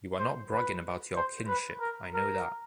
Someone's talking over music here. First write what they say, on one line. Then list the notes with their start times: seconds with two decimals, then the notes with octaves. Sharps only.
You are not bragging about your kinship, I know that...
0.19 C5
0.51 B4
1.16 C5
1.48 B4
1.80 A#4
2.13 A#4